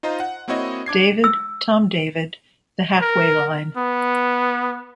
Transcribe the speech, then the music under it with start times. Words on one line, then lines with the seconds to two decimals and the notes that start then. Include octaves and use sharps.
David, Tom David, the half-way line.
0.03 D#4 F4 C5 D#5 A#5
0.20 F#5
0.48 A#3 C4 E4 F#4 C#5 D#5
0.86 D4 D6 G#6 C7
1.24 E6
3.01 A#4
3.77 B3